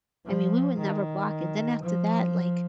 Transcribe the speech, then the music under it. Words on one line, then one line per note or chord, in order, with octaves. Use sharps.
I mean, we would never block it. Then after that, like,
F3
D#3
F3